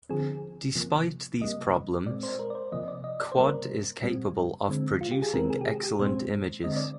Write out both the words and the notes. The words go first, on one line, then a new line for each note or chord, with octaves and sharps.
Despite these problems, Quad is capable of producing excellent images.
D3 F3 C4 G#4
C3 F3 A#3
C3 G3 A#3 D#5
A#2 G#3 C4 D5
C5
A#4
D5
C5
C3 F3 A#3 D#5
D5
D#5
D5
C5
C3 G3 A#3 A#4
A#2 G3 C4
D3 G#3 C4
F4
G4
G#4
C3 D#3 G#3 C4 A#4
G#4
G4
G#4
G4
A#2 G#3 C4 C5
D3 G#3 C4 D#5
D5